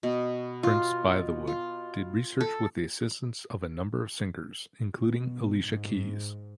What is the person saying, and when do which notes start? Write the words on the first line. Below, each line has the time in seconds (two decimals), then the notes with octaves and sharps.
Prince-Bythewood did research with the assistance of a number of singers, including Alicia Keys.
0.03 B2
0.63 F4
1.47 F4
2.41 A4
4.97 B2
5.67 G#2